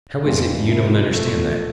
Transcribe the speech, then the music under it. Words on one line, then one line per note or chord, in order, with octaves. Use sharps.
How is it you don't understand that?
F2 E3 G3 D4 F4
C3 F3 A#3 E4
A#2 F3 A3